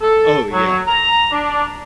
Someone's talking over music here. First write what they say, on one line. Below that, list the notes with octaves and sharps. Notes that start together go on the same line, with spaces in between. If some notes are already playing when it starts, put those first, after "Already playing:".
Oh, yeah.
A4
F#3
A#5
D4